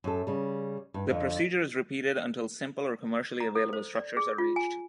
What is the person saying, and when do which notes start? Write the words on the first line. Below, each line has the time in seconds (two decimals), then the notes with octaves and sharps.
This procedure is repeated until simple or commercially available structures are reached.
0.04 F#2 A4
0.27 C#3 G3
0.94 G2
1.07 F2 D3
3.40 A#5
3.55 A4
3.73 C5
3.95 D5
4.17 G#4
4.38 F4
4.56 G#5